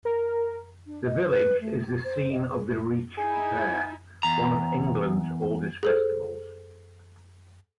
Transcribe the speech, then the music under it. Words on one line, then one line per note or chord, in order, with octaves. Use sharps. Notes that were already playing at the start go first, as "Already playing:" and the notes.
The village is the scene of the Reach Fair, one of England's oldest festivals.
A#4
D4
D#5
B4
A3
G4
C5
D#5
G#4
A3
D#4 E4 G#4 G#5
E2 A#5
G#4 A4 C5